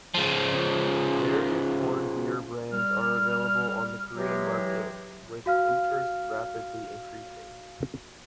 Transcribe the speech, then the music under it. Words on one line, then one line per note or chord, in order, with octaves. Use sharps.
Various foreign beer brands are available on the Korean market, with interest rapidly increasing.
C#3 F3
G3 F6
E3 F#3 G#3 G4
F#4 F5 F6